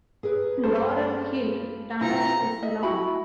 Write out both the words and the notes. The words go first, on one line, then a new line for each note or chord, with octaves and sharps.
Laurel Hill Tunnel is long.
G#4 A#4 B4
G2 A4 C5
G1 C3 E4 F4 G#5 A#5 C#7
D#5 E5
E4 F#4 B5